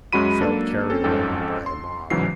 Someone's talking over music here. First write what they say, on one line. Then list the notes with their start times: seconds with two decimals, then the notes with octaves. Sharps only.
He felt carried along by a mob.
0.13 F#2 G#3 C#4 F#4 B5 D#7
0.41 F#3 A#3 D4 A4
0.90 C4 C#4 A4
1.04 F2 G#2 C4 C#4 A4 G5
1.66 C6
2.10 A1 G#2 C#3 E3 F#3 C7